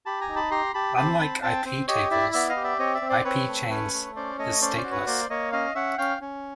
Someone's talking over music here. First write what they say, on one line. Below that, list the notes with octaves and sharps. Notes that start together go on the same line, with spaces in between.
Unlike iptables, ipchains is stateless.
G4 A5 B5
G#5 A#5
D#4
A5 B5
G4 A#5 C6
G4 A5 B5
C4 A5 B5
C4
C4 G5 A5
C4
G4 C#5 D#5
E4 D5 E5
B3 D5 E5
D#5 F5
G4
D5 E5
C4 C#5 D#5
D5 E5
C4
C5 D5
C4 B4 C#5
A3
C#4 B4 C#5
A3
C#4 C5 D5
A3 C#5 D#5
C#4 C5 D5
C5 D5
F#4
B4 C#5
A#3 C5 D5
A#3 C#5 D#5
C#4 D#5 F5
C#4 E5 F#5
C#4 F5 G5
C#4